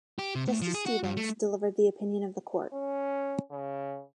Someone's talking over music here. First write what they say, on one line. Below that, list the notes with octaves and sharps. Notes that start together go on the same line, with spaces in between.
Justice Stevens delivered the opinion of the Court.
G4
C3
A2
F3
G#4
F#4
G2
A3
C#4
C#3